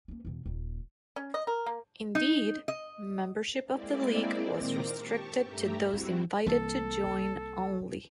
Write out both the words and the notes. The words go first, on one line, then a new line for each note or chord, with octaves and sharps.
Indeed, membership of the League was restricted to those invited to join only.
A#3 C#4
E2 B2
D#1 A#2
C#4
D#5
A#4
A#3
D#4
D#5
G#3 A#3 C4 E4 D5
A#2 D#3 C4 A#4 D6 A#6
G4 A5 C#6
G2 A3 G4 E5 A#5
G3 C4 E4 F#4
C2 E3 A#3 A4